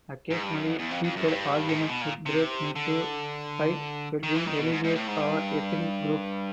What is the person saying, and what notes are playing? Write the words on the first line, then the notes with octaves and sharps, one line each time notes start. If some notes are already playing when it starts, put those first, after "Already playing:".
Occasionally heated arguments would break into fights between religious or ethnic groups.
G#2
G2
F#2
F2
E2
F2
F2
F#2
G2
A2
G#2
B2
A#2
C3
D3
D#3
E3
D#3
B2
G#2
G#2
A2
G#2
G2